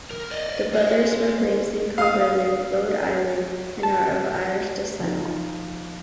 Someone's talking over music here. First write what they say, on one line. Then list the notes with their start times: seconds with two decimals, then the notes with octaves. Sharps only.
The brothers were raised in Cumberland, Rhode Island and are of Irish descent.
0.11 A#4
0.31 D5 D#5
0.73 G#3 G#4
1.98 F5 D#6
3.83 A5
5.00 F3 D#4